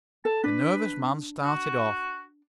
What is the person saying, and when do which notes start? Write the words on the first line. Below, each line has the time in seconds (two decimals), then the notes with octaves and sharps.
The nervous man started off.
0.25 A4 A5
0.44 D4 B4
1.44 F#4